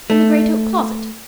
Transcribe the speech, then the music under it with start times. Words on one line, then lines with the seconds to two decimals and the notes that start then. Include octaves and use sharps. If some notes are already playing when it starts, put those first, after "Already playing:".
"In the great oak closet."
0.10 A3